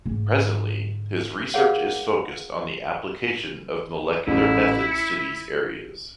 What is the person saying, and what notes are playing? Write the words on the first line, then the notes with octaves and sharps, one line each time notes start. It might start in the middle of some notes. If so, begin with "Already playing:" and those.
Presently his research is focused on the application of molecular methods to these areas.
G#2 D3
G#4 A#4 C#5 F5 F#5
A1 A2 E4
C#7